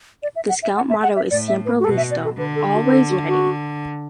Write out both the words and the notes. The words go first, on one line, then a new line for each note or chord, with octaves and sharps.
The Scout Motto is "Siempre listo", "Always ready".
D5
E5
F#5
E5
F#5
E5
F#5
E5
A2 D5
E5
B4
F#4
B2 A4
E5
D5
A4
D3 B4
A4
F#4
B4
A4
F#4
F#4